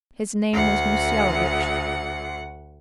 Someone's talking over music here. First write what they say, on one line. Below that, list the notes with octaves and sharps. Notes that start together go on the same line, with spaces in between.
His name was Mussyalovitch.
D2 F#5